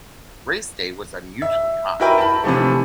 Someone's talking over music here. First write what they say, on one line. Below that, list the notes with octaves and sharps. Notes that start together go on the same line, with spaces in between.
Race day was unusually hot.
E5
E4 F#4 A#4 B4 E5 G5
A5 B5
C3 E3 F3 A3